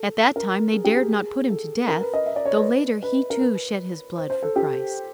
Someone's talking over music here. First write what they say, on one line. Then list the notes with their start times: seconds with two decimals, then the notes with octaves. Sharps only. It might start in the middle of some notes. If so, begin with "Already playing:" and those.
At that time they dared not put him to death, though later he, too, shed his blood for Christ.
Already playing: A4
0.36 A#4
0.74 G#4
0.85 G4
0.95 G#4
1.50 A4
1.88 A#4
2.01 B4
2.13 D#5
2.26 E5
2.36 D5
2.45 C#5
2.55 B4
3.03 B4
3.30 A#4
3.41 B4
4.17 C5
4.30 C5
4.43 A4
4.56 G4